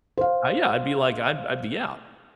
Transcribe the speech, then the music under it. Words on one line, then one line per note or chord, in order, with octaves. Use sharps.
Uh, yeah, I'd be like, "I'd I'd be out,"
C5 F5